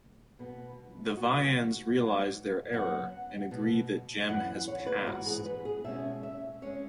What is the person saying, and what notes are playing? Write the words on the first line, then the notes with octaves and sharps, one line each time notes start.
The Vians realize their error, and agree that Gem has passed.
B2 B3
B2 B3 F#4
G#2 F#3 B3
F#2 F#3 B3 F#5
B2 B3
F#2 E3 B3 F#5
C#5
B4
G#2 E3 B3 F#4
G#4
B4
G#4
B2 G#3 C#4 E5
E5
G#3 C#4 C#5